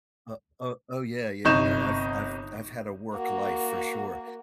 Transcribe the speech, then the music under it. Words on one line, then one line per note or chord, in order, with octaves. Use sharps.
o o oh, yeah yeah no I've I've I've had a work life for sure.
G1 C3 D#4 C#6 G6 E7
A#3 F#4